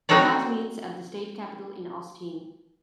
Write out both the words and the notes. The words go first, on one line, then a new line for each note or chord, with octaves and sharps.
The House meets at the State Capitol in Austin.
C4 D#4 F#4 A4 C#5 D5